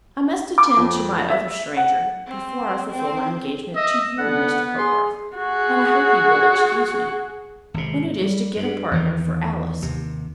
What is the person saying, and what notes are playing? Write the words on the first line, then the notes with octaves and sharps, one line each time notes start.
I must attend to my other stranger before I fulfil my engagement to you, Mr. Hogarth, and I hope you will excuse me, when it is to get a partner for Alice.
D6
F2
E5
F#5
C4
C4
D#5 E5
D3 B3 F#5
G#4 C6
F#4 G#4
G#1 C3
G3
G2
E2 D#3 E3
D#2 C3